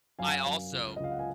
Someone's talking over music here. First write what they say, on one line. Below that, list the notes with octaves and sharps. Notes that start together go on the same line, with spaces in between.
I also
F#2 F5 G#5
F#2
C#2
D#5
C#2 F5
F#5
G#5